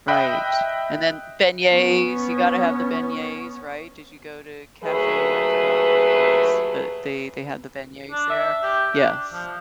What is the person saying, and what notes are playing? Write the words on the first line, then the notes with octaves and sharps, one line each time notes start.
Right, and then beignets, you gotta have the beignets, right, did you go to cafe I forgot what it was, but they they had the beignets there, yes.
D#5 E5 G5 B5 F#6
B3 C#4
D#2 F#3 A3 G#4 B4
D4
E5
G4
D4
F3